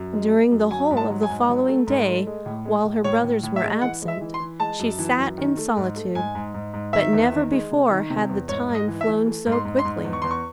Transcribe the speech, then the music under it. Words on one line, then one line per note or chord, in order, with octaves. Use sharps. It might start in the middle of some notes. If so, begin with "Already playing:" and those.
During the whole of the following day, while her brothers were absent, she sat in solitude, but never before had the time flown so quickly.
Already playing: F#2
G#3
G#3
F#2
F#3 G#5
G#2
A5
F#3
G#5
G#2
F#3
A3
G#2
A3
G#3
A2
G#3
A2
A2 C#5
A2
A2
E5
G#3
E3 F#5
G#3
E5
E3
C6
E3
G#3 A5
F#2
E3
F#2
D#3
A3
G#2
A3
G#2 G#5
G#2
G#2
G#2
D#3 E5
E2
D#3
G#3
C3
D#3
C3
E2
G#2 C#5
G#2
D#5
E3
E5
E3
A3
G#2
C6
G#2
C6
G#2
E2
C#6
E2 C6
C#6